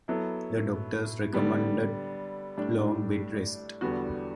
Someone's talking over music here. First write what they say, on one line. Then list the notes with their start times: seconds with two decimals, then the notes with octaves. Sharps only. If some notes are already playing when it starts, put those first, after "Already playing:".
The doctors recommended long bed rest.
0.08 F#3 B3 E4 A4
1.33 D3 G3 B3
2.57 A2 G3 D4
3.81 E2 D3 G3 B3 F#4